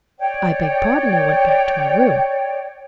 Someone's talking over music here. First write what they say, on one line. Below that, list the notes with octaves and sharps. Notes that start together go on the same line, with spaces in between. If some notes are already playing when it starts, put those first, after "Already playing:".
I begged pardon and went back to my room.
C#5 D5 G5